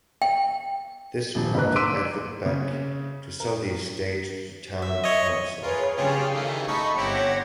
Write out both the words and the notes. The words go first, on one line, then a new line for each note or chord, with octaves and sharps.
This prompted Edvard Bech to sell the estate to the town council.
G5
D#1 F3
F#1 G#2 D3 A#4 B4 F#6
C6 D6 E6 B6 D7 D#7
C#3
A#4
E5
C#5 D#5
F4 G#4 A#4 B4 C#5
C#3 D4 F4 G4 G#4 F5
D#3 E3 A3
A3 D#4 A4 D#5 B5 C#6
G1 C4 E4 G4 C#5 F#5 A#6